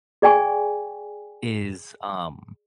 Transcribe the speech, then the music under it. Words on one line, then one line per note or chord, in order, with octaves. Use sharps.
is, um,
G#4 D5 G5 G#5 C#6